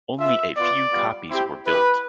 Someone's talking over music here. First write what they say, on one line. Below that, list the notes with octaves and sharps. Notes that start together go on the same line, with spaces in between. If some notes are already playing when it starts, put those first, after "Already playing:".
Only a few copies were built.
B3 F4 E5
B3 F4 D5
G3 B3 F4
C4 E4 G4
B3 E4 G4 B4